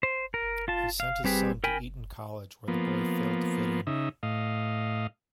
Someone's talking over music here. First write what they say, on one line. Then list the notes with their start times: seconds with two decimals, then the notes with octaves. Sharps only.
He sent his son to Eton College, where the boy failed to fit in.
0.03 C5
0.34 A#4
0.68 F4 A5
1.00 F5
1.24 G3 C4 G4 G#4 B4
1.64 A#4 G5 G#5 B5
2.68 F3 A#3 B3
3.87 C#3 D#4 E5
4.23 A2 D#5 F5